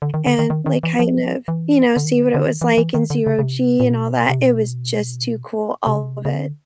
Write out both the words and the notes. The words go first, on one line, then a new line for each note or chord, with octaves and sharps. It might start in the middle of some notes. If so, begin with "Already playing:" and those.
and, like, kind of, you know, see what it was like in zero G and all that. It was just too cool. All of it.
D3
D#3
D3
D#3
D#3
D#3
E3
F3
E3
D3
D#3
D3
D3
D#3
E3
E3
D#3
D3
C#3
C#3
C3
A#2
B2
C3
B2
C3
C#3
C3
C#3
D3